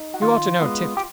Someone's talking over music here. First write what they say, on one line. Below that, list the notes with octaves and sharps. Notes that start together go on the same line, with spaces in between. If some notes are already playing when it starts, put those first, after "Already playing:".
You ought to know Tifto.
Already playing: D#4
F#4
D#3 F4
G#3 B3
G4